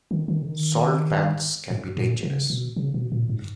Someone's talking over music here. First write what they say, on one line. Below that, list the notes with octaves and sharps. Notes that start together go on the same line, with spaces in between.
Salt pans can be dangerous.
D#3
D#3
C#3
D#3
G#2
A#2
C#3
B2
C#3
B2
A#2
G#2